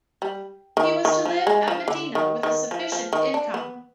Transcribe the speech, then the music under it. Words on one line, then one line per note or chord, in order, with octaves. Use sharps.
He was to live at Medina with a sufficient income.
G3
D#3
D#3
F3
G#3
F3
D3
D#3
D#3
F3
F3
D#3
D4
B3